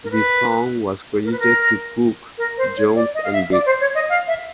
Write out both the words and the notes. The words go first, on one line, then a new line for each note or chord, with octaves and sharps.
The song was credited to Cook, Jones and Biggs.
A#4
B4
A#4
B4
A#4
A#4
C5
C#5
D5
D#5
F5
E5
D5
C5
C#5
D#5
F5
E5